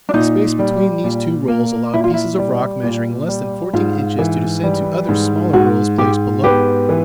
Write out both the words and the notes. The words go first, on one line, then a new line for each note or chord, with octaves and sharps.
The space between these two rolls allowed pieces of rock measuring less than fourteen inches to descend to other smaller rolls placed below.
D4
A#2 D#4
G3
A#2
A#3
A#2 E4
F4
E4
G3
A#2
G3
G#2 F4
E3
G3
G#2
G#2 F#4
G#2 G4
B3 G4
E3